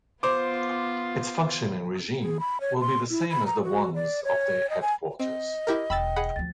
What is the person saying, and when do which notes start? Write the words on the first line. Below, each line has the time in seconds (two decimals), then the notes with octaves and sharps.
Its functioning regime will be the same as the ones of the headquarters.
0.23 B3 F4 C5 D6
2.22 G#4
2.40 B5
2.61 C#5
2.81 C6
3.10 E4
3.31 B5
3.46 A#5
3.64 F#4
3.95 D5
4.24 C#5
4.70 D#5
4.82 G#5
5.20 C4 D#5
5.67 E4 G4 A#4
5.90 E1 D3 G5 B5 E6 A6
6.16 G#4 F#5 B5
6.36 D2 F3 A6